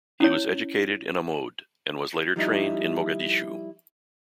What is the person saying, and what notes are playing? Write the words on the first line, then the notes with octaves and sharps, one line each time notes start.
He was educated in Amoud, and was later trained in Mogadishu.
C#4 E4 C#5
F3 G3 D#4 E4